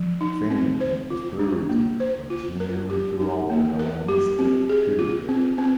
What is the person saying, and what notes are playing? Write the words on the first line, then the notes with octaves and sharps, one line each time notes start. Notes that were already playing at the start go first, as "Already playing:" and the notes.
Fame and prosperity continued throughout the Hellenistic period.
Already playing: F3
D#4
C4
C5
F4
D4
A#3
C5
F4
A#4
G4
D#4
A#3
A#4
G4
C4
G#4
F4
C4
C4